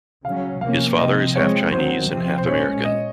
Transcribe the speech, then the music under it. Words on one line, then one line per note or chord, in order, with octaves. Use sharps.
His father is half Chinese and half African.
C#3 F#3 C#4 F5
C3 F3 A#3 C#4 F5
C3 F3 C4 D#5
F3 G#3 C4 C#5
D#3 F#3 C4 C5
C3 F3 C4
C5
A#2 G#3 C#4 C#5
D#5